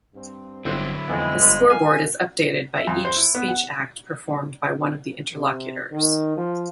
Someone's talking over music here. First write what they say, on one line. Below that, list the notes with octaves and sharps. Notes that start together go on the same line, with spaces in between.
The scoreboard is updated by each speech act performed by one of the interlocutors.
G2 C4
G1 D3 F#3 C4 E4 F#5
F2 E3 G#3 B3
G1 F3 B4
G#2 F5 G#5
E5
F2
C5
E4
B3
F#5
C3
D#3
F3